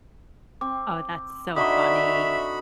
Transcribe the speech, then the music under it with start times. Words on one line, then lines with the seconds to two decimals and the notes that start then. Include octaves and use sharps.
Oh, that's so funny.
0.61 C4 D6
1.56 D3 D#4 F#4 D#5 E5 B5 C#6 D#6